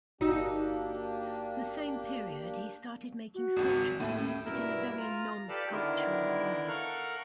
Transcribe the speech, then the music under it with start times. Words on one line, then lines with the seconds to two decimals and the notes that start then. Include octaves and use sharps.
The same period he started making sculpture, but in a very not-sculptural way.
0.21 G1 A#3 D4 D#4 F#4 G4 E6
3.35 F#4
3.57 G#1 C#2
4.00 D#2 A2 E5
4.18 C#4
4.45 G2 B2 E4 A#4 E6
4.99 F4 A#5
5.49 G4 A4 B4 D5 F5 A5
5.72 D3 D#3 B3 D4 E4 A#4
6.68 A4 A#4 F5 F#5 C#6 F6